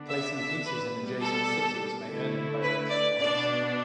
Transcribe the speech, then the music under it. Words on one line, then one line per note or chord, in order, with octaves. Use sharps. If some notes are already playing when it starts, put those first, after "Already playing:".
Placing pieces in adjacent cities may earn the player victory points.
Already playing: D3 B3 D4
E5
E5
B4
B2 G3 B3
A4
D3 A3 E4
B4
D5
B2 B3 D4 D5